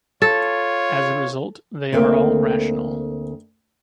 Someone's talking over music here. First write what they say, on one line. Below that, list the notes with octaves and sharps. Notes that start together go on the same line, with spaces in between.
As a result, they are all rational.
F4 A4 C#5
D2 A3 A#3 C4